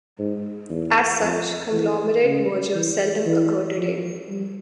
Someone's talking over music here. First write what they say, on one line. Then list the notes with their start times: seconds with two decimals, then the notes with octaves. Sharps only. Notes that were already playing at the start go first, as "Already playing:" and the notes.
As such, conglomerate mergers seldom occur today.
0.19 G#2
0.69 E2
1.21 F2
1.72 E3
2.24 C#3
2.75 E3
3.26 E3
3.77 F3
4.29 G3